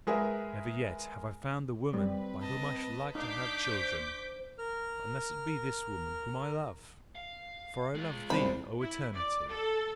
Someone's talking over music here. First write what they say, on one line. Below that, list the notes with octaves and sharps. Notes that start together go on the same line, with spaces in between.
Never yet have I found the woman by whom I should like to have children, unless it be this woman whom I love: for I love thee, O Eternity!
G#3 G#4 A#4 B4 E5
G3 C4 B4
D#5 A5
D4 D#4 F5 D6 D#6 G6 B6
C5
A#4 F6
F5
G#3 F4
C2 C5 B5
E4
D5
A4